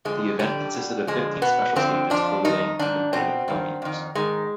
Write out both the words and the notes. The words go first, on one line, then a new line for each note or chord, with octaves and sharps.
The event consisted of fifteen special stages totalling in competitive kilometres.
F2 D3 F3 G#3
F2 D3 G3
B2
F2 D3 F3 G#3
B2 B3
G2 D3 F3 C4
F2 D3 F3 D4
F2 D#3 D#4
G#2 D#3 D4
B2 C4
G2 D#3
F2 D#3
G#2 D#3 G#3